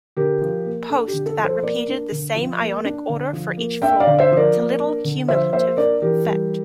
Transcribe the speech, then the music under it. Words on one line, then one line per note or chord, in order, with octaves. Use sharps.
Post that repeated the same Ionic order for each floor, to little cumulative effect.
D3 G4 A#4
F3
A#3
D4 A4
G4
D3
A4
F3
A4 C5
A#3 A#4 D5
D4
D3
F3
A#3
D4
D3
F3
A#3
D4 E5 G5
D5 F5
D3
C5 E5
F3
A#4 D5
A#3
D4
D3
F3 C5 E5
A#3 C5 E5
D4 A#4 D5
E3 G4 A#4
G3